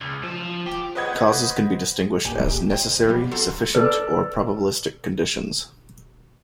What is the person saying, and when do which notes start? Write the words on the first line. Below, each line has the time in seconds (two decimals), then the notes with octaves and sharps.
Causes can be distinguished as necessary, sufficient or probabilistic conditions.
0.01 C#2
0.23 F3
0.66 G4
0.95 B4 C5 D#5 F#5 G#6
2.25 A1 E2 A#2 G4 G#5
2.48 A#1 G4
2.70 C5 D#5 G5
2.91 G1
3.07 C3 F3 G3 B3
3.31 F#4 A4 A#5 C6
3.75 A4 B4 D5